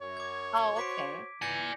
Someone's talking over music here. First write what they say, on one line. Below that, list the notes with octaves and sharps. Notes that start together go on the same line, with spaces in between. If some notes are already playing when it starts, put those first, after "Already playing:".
Oh, okay.
F#2 C#5
D6 G#6
F#4 C5 D6 B6 D7
E3 D5 G#5 G6 A#6 C#7